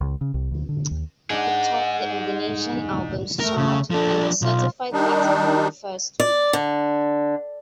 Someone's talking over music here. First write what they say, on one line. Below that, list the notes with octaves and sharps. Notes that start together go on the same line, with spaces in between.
It topped the Indonesian Albums Chart and was certified platinum in the first week.
C#2
C#3
C2
D2
D3
D#2
D4 D#4 G#4 F#5
A3 A#4
C#3
F3 D4 A4
B1 F4
D#3 G3 D4 D#4
D5
D3